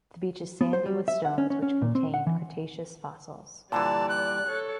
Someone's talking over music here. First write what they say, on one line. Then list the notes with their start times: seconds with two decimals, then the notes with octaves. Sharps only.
The beach is sandy with stones which contain Cretaceous fossils.
0.61 B3
0.73 C5
0.86 G3
1.08 E5
1.25 F#5
1.38 C#4
1.50 C#4
1.62 C#4
1.82 A#2
1.95 C4
2.14 F#5
2.27 E3
3.72 A#2 D3 E3 G3 D5 A5
4.09 F#6
4.46 A4 C#5